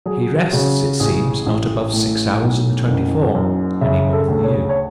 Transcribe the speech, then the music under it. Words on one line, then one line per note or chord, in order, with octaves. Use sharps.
He rests it seems not above six hours in the twenty-four--any more than you.
F#3 G#4
C#3 F#4
A1 G#4
A1
A2
B1
F#1
F#2
C#3 E5
A4
D2
C#5
C#5